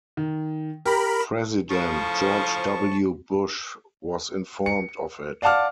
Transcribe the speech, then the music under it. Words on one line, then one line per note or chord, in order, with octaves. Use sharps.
President George W. Bush was informed of it.
D#3
G4 A#4 B5
A2 C#3 F3 A5 C#6
C#7
D5 F5 F#5 A5 D6 F6